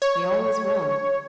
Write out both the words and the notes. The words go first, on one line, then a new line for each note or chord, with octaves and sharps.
"He always won."
C#5